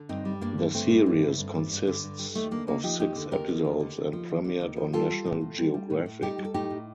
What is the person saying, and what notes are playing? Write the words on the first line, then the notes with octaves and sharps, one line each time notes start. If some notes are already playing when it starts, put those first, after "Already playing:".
The series consists of six episodes and premiered on National Geographic.
Already playing: D3
G2 C4 D#4
G3
G2 A#3 D4
D3
G2 A3 C4
G3
G2
D3
G2
G3
G2
D3
G2
G3
D#2 A3
D3 A#3
D#2 A#3
F3 D#4 G4
D#2 D#4 G4
D3
D#2 G4 A#4
F3
D#2
D3
D#2
F3
D#2
D3
D#2
F3
G3 F4 A4
G3
A2
A2
G3
G3
A2
A2
G3 D#4 G4
G3
A4
A2 D#4 G4
A2